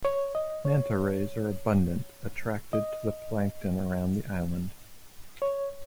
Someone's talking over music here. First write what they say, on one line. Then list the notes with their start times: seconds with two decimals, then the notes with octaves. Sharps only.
Manta rays are abundant, attracted to the plankton around the island.
0.05 C#5
0.35 D#5
0.65 C#5
2.73 D#5
5.42 C#5